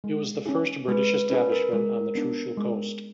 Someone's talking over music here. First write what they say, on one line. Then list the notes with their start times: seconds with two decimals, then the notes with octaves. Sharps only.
It was the first British establishment on the Trucial Coast.
0.04 G#3
0.46 C#4 E4 G#4
0.88 G#3 B4
1.30 C#4 E4 G#4 B4
1.52 A#4
1.72 G#3 A#4
2.15 B3 D4
2.57 G#3